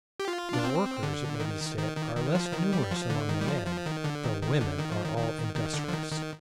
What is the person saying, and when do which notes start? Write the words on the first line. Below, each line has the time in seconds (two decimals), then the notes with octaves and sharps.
The workers, it may be said, are less numerous among the men; the women are all industrious.
0.20 G4
0.28 F4
0.53 D4
0.65 C4
1.03 D3
1.40 D#3
1.78 D#3
1.97 D#3
2.16 D#3
2.35 F3
2.53 D#3
2.73 G3
2.91 F3
3.10 D3
3.29 D#3
3.41 G3
3.48 F3
3.67 F3
3.86 D#3
4.04 D3
4.23 D#3
4.42 D#3
4.61 D3
4.79 D#3
4.92 F3
5.04 D#3
5.18 D#3
5.55 D#3
5.74 D3
5.88 F3
5.92 D#3
6.12 D#3